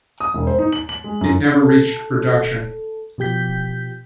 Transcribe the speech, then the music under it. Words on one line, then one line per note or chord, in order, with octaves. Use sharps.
It never reached production.
D#6
E1
C5
D#4
F#7
F#7
G#3
F#2
A4
B2 F3 G4 G6 B6